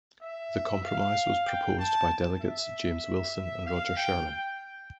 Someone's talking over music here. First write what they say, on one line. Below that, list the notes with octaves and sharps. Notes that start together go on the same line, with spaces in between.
The compromise was proposed by delegates James Wilson and Roger Sherman.
E5
F5
G5
A5
E5
F5
G5
G5